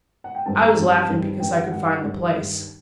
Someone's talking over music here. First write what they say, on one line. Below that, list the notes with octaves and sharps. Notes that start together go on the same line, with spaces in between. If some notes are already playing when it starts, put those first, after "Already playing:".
"I was laughing because I could find the place."
F#5
G5
G2 D#3 G3 C4 A5
A#5
G2 D#3 G3 C4 A5
G2 D#3 G3 C4
G2 D#3 G3 C4 G5
F#5
G2 D#3 G3 F#5
G2 D#3 G3
G2 D#3 G3